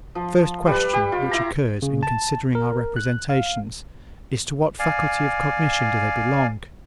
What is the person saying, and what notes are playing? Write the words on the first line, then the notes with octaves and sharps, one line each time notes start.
The first question which occurs in considering our representations is to what faculty of cognition do they belong?
F3
G3 B4
G4
F4
E4 A#5
C#3
A5
A#4
F#6
F5
D5 F5 G#5